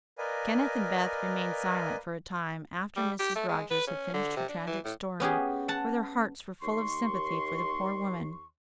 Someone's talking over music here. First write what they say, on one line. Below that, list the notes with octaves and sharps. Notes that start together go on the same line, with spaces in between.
Kenneth and Beth remained silent for a time after Mrs. Rogers had finished her tragic story, for their hearts were full of sympathy for the poor woman.
A#4 B4 D5 D#5 F5 G#5
G3
G4
A3
G#3
B4
C#4
D3
C3
D4
E3
A2
B3 C#4 G4 G#4
F#5 A5
D#2 C6 C#6